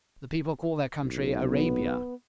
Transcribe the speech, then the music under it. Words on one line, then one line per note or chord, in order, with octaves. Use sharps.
The people call their country Arabia.
B1
B3